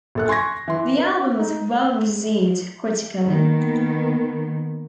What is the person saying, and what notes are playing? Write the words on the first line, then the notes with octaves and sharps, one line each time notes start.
The album was well-received critically.
A#1 A4 F#6
G#5 C6 C#6 G#6 A#6
E3 C6
B4
D#4
D#3 A#3 B3